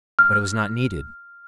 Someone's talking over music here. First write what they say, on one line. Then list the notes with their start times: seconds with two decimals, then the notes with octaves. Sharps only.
But it was not needed.
0.19 F6